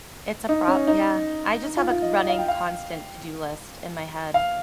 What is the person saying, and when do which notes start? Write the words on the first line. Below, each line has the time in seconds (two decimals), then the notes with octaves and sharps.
It's a prob yeah, I just have a c running constant to-do list in my head.
0.49 D#4
0.68 C#4
0.87 D#4
1.64 D#4
1.77 F4
1.90 F4
2.02 D#5
2.16 D#5
2.29 F5
2.39 G5
2.48 F5
4.34 F5